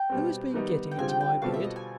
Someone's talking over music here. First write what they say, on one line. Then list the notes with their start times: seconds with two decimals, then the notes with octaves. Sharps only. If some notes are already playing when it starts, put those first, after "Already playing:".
"Who has been getting into my bed?"
Already playing: G5
0.10 B2 G3 C4
0.54 D#3 G3 B3 D#4
0.91 G5
0.98 D3 G3 C4 F4 G#4 G#5
1.09 G5
1.21 G5
1.42 B2 G3 C4 F4 A4 F5
1.54 E5
1.64 D#5
1.76 G#5